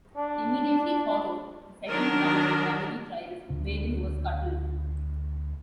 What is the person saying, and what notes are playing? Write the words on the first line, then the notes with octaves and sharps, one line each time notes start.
Immediately following the second round of gunnery trials, "Baden" was scuttled.
D4
D#3 F#3 D4 A#4
D2 C#3 D4